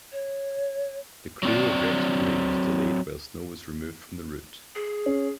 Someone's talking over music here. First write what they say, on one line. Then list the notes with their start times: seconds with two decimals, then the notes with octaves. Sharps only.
The Krewe of Rex Parade was delayed while snow was removed from the route.
0.11 C#5
1.43 F#3 C4 D5
4.75 G#4
5.06 C#4